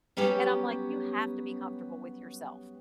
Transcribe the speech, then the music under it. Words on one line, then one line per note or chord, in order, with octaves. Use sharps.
and I'm, like, you have to be comfortable with yourself
F#3 G3 B3 C#4 G4